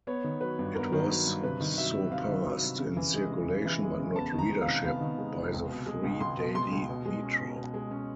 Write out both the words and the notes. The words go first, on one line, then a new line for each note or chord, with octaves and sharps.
It was surpassed in circulation, but not readership, by the free daily "Metro".
B3 C#5
D#3
F#3 B4
G2
B3 A#4
D#3
F#3
G2
C3 B4
D#3
F#3 E5
C3
C3 F5
D#3
F#3
C3
C#3
E3
G#3
C#3
C#3
E3
G#3
C#3
B3 A5
D#3
A#5
G#3
F5
C3
B3 F5
D#3
G#3
C3
C#2
B2
G#3
C#2
C#2 C6
B2
G#3 C6
C#2
B2
G#3
C#4
B2
B2
G#3
C#4